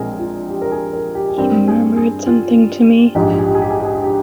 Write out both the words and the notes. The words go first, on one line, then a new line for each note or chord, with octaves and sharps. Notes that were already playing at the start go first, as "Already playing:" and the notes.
He murmured something to me.
Already playing: A#1 A#2 G#3 C4 G#4 A#4
F4
G4
A#4
G#4
A#4
G4
G#4
G2 G3 C4 A#4
G#4
G#4
F4
A#1 G#2 F3 G#3 G4
G#4
G4
G#4
G4
G#4
G4
G#4
G4
G#4
G4
G4